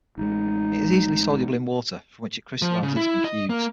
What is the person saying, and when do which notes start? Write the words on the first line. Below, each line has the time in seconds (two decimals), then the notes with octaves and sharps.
It is easily soluble in water, from which it crystallizes in cubes.
0.17 A1 G#3 D#4
2.62 F3
2.83 C#3
2.97 E4
3.25 D#5
3.50 A#3